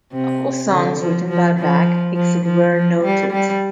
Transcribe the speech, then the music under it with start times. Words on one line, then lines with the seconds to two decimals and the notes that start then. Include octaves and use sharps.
All songs written by Beck, except where noted.
0.12 C3
0.71 D3
1.00 F3
1.29 F3
1.59 F3
2.16 F3
2.45 F3
2.75 F3
3.03 G3
3.33 G3